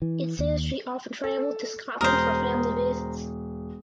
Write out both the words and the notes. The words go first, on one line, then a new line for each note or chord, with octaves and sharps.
It says she often traveled to Scotland for family visits.
E3
D#2
A4
E1 A#4 C5 D#6